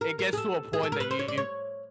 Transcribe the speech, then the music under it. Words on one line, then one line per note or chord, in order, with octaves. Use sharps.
It gets to a point that you
A#4
A#4
G#4
A4
G#4
A4
A#4
B4
C5
C#5
D5
C#5